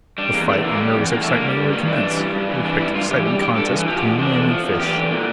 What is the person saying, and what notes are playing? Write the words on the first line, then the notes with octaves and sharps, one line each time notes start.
The fight and nervous excitement recommence--the quick, exciting contest between man and fish.
G3 D4
E2 A#3
E2 A3
D3 A#3
G3
E2
E2 A#3
A3
D3
A#3
G3
G2
G2 A#3
E3 D4
G3
G2
G2
E3
G3 D4
G2 E4
G2 F4
E3 G4
G3 G4
G2 G4
G2 A4
E3
F3 G4
G4
E2
E2 D4
D3
F3
E2
E2 G4
D3
A#2